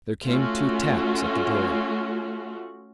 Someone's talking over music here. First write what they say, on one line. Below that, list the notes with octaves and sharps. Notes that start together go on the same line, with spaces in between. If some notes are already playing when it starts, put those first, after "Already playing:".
There came two taps at the door.
A3 C#4 F4 F#4